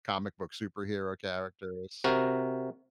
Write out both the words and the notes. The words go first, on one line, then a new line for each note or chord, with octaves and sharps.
comic book superhero characters.
C3 F#4 A#4